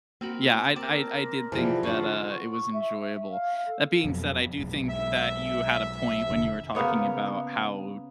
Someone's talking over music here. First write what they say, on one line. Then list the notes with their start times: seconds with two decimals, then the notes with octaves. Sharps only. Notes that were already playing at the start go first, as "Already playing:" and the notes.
yeah, I I I did think that, uh, it was enjoyable. That being said, I do think that you had a point when you were talking about how d
0.21 A#3 C4 F#4 A#4 B5
0.76 C4 A#4 D5 A5 D6
1.52 C3 E3 F3 G3 G#4 C5 A5
1.83 D3 D4 F4 F#5 C#6
2.52 C#6
2.73 E5
3.31 F5
3.67 A4
4.04 F2 B2 F#3
4.59 B1 G#2
4.88 E5
6.30 F1 D3
6.75 C#3 A#3 B3 C#5